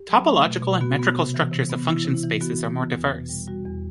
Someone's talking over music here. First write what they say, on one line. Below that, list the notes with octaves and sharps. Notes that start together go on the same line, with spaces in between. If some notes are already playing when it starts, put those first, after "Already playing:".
Topological and metrical structures of function spaces are more diverse.
Already playing: G4
F#3
A3
B2
B2
B3 F#4
B3
C3
E3
C3
B3
E3 E4
C3
E4
E3
B3 F#4
E3
B3
E2
B2
G3
G3 F#4
E2